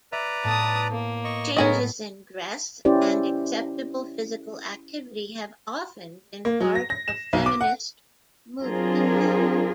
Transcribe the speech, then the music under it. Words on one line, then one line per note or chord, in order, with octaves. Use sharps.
Changes in dress and acceptable physical activity have often been part of feminist movements.
B4 D5 E5 A#5
A2 B3 A5 D#6
A#3
D#5 C#6
A2 G#3 A3 B3 C#4 G#4 A#4 D#5
C#4 E4 G4 C5 D5
A#3
F#3
A#6
A#6
E7
B1
D6
F#5
F#3 C4 D4 F4 G#4 A#4